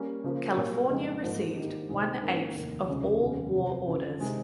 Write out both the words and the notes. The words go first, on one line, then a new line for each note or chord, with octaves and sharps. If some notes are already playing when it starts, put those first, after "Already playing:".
California received one eighth of all war orders.
Already playing: G3 A#3 C#4
C#3 F3 A#3
A#2 G3 A#3
F2 C#3 G#3 D#4
G#1 G#2 F3 A#3 D#4
G2 D#3 A#3 D#4 G4
C2 A#2 G#3 C4 D#4
G#2 D#3 A#3 C#4
F1 D#2 D#3 A#3
F1 D#2 C#3 F3 G#3
F1 D#2 C#3 G3 C#4
F2 C3 F3 C4
G1 F2 C#3 F3
C3 D#3 G#3